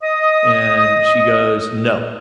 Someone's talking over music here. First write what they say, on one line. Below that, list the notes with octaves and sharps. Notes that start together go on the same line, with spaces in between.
And she goes, "No,"
D#5 D#6